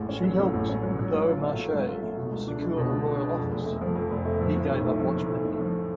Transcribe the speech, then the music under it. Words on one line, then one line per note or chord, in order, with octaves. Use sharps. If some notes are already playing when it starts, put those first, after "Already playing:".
She helped Beaumarchais secure a royal office, and he gave up watchmaking.
Already playing: A1 A2 G#3
C#4
F#3
A2
A1
C#4
F#3
F#3
G#2
F4
A3
F#3
G#2
F4
A3
B2
C#2
D4
G#3
B2
C#2
D4
G#3
F2
F1
A3
F3
F2
F1
A3
F3
A2
B1
A3
F3
A2
B1
A3
F3